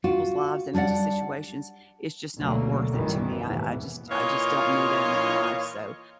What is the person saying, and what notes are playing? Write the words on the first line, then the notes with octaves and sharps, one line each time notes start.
people's lives and into situations, is just not worth it to me. I I just I just don't need that in my life, so,
F4 F#4
G3 D4 G#4 D5 F#5
D2 B2 D3 F#3 A#3
A1 F#2 D#3 E3 G3
D#2 G#2 B2 E3 B3
A#2 E3 F4 C#5 D#5 F5